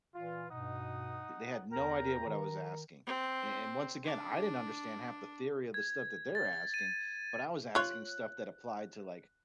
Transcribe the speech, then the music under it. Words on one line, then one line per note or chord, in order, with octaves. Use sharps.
Th they had no idea what I was asking. A and, once again, I didn't understand half the theory of the stuff that they're asking, but I was asking stuff that applied to, like
A#2 E3 F4
G2 B2 D#4 F#5 D#6
E2 A#4 G5 A#5
D#3 A#5
C4
D4
G#6
A6
D#7
F4 C#5 F#6